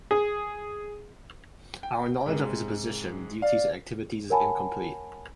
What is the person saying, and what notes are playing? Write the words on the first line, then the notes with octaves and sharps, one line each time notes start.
Our knowledge of his position, duties, and activities is incomplete.
G#4
G5
G#2 C3 G#3
D5 F5
A#4 C#5 F#5 G#5 A5 B5